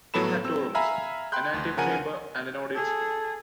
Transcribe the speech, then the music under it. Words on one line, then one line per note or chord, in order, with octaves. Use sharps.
It had two rooms: an antechamber and an audience room.
A2 F#3 B3 A4 B5 E7
C4 E6
E5 F5 G#5 A#5 B5 F6
G5 B5 C6 F#6 G6
D2 C6
C#3 F3 A#4 F#5 G#5 D#7
G#4 A4